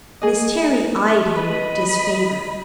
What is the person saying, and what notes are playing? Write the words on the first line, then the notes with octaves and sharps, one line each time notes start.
Miss Terry eyed him with disfavor.
G#4 D#5
B4 D#5 B5